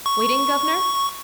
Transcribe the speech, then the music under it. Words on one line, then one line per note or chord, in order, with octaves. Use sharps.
Waiting, guvnor?
C#6